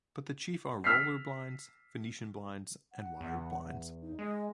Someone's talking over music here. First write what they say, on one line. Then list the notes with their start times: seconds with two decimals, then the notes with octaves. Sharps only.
But the chief are roller blinds, Venetian blinds, and wire blinds.
0.84 E6 F6 B6 C7
2.93 F#5
3.21 E2
4.02 D#4
4.19 G#3 D#5